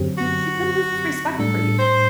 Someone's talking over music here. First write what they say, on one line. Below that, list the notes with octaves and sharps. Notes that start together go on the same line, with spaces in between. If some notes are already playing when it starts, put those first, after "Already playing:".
she could lose respect for you.
Already playing: F#2 D3 F#3 C4 G4
F#4
A2 G3 D4 A4
C5